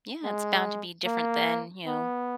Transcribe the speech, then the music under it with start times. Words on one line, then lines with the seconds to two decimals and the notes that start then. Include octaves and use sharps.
Yeah, it's bound to be different than, you know,
0.24 G#3
1.06 A#3
1.87 B3